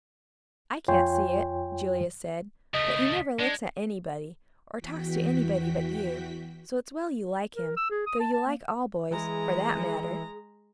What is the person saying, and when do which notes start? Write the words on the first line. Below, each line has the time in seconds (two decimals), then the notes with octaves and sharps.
"I can't see it," Julia said, "but he never looks at anybody, or talks to anybody but you, so it's well you like him; though you like all boys, for that matter!"
0.88 F2 F4 C#5 G5 G#5 C6
2.74 C#2 A3 D#5
3.39 G#3 D4
4.79 E2 E3 F#4 G5 B6
7.56 A#4
7.77 E6
7.90 G#4
8.07 D#6
8.20 A5
8.33 A5
8.46 A#3
9.11 E3 G#3 G#4 A#5